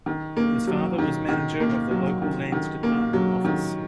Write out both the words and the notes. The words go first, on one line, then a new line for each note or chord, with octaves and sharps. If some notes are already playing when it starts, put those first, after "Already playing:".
His father was manager of the local Lands Department office.
D#3
A#3
F#3
D#3
D#3
A#3
F#3
D#3
D#3
A#3
F#3
D#3